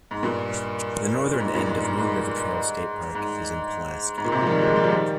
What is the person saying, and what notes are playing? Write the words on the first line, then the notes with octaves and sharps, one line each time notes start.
The northern end of New River Trail State Park is in Pulaski.
G#2
G2 A#2
A#2
G#2
G2 A#2
G#2
G#2
G#2
G#2
G#2
A#2
G#2 C3
F3
D#3 G3
F3 G#3
G3
F3
D#3 G3